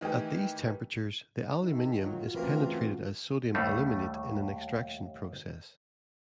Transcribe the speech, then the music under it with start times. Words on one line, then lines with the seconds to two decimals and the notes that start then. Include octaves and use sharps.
At these temperatures, the aluminium is penetrated as sodium aluminate in an extraction process.
0.01 D#3 E3 A3 G4
1.61 D#3 E4
2.01 F#3 F4 F#4
2.35 E2 C#3 A3 A#3 C4 A#4
3.54 D#2 A2 G3 A3